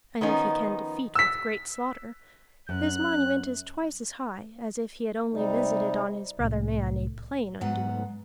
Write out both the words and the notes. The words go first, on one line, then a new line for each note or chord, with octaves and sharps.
And if he can "defeat with great slaughter" his monument is twice as high as if he had only visited on his brother man a plain undoing.
D#3 F3 B3 C#4 D#4
E6 B6
F#2 F#6
C3 G3 D#4
C2 A2
G#2 F#3 B3 F#5